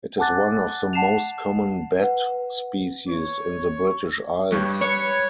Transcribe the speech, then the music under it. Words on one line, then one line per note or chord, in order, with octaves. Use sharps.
It is one of the most common bat species in the British Isles.
F#5 G#5 A5 D6 F#6 A6
F#5 A5 C7 E7 F7
B4 F#5
C#5
G2 C#5
B4 C#5